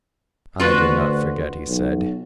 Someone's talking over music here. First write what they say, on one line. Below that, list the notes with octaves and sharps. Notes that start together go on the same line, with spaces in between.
"I do not forget," he said.
D2 F4 F#4 B4
B1